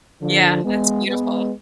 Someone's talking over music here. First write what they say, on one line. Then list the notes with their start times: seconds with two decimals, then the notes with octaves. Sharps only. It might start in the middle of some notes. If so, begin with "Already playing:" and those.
Yeah, that's beautiful.
0.21 D3 F3
0.63 G#3 B3
1.06 G#3 B3